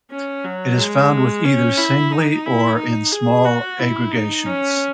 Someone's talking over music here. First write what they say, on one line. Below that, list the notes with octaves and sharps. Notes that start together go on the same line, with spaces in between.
It is found with either singly or in small aggregations.
C#4
F#3
G#3
C#4
E4
D#4
E4
D#4
G#4
F#4
E4
D#4
C#4